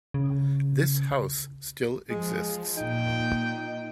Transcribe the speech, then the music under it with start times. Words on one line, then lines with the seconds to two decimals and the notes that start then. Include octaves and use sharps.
This house still exists.
0.14 C#3
2.10 F3 G#3
2.77 A#2 D#4 G5